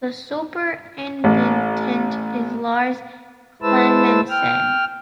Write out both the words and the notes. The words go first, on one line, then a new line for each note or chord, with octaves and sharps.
The superintendent is Lars Clemensen.
A1
G#3 E4 B4 C5 A5 E6
G5 F6